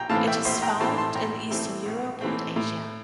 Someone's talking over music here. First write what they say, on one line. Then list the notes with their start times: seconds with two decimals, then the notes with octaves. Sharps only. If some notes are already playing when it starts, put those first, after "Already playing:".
It is found in eastern Europe and Asia.
Already playing: A#1 G5 A#5
0.09 A2 E3 A3 C4 F5 A5
0.27 E5 G5
0.45 A#1 C5 E5
0.62 G5 A#5
0.80 A2 E3 A3 C4 A5 C6
0.98 A5 C6
1.15 A#1 G5 A#5
1.51 A2 E3 A3 C4
1.86 A#1
2.21 A2 E3 A3 C4
2.56 A2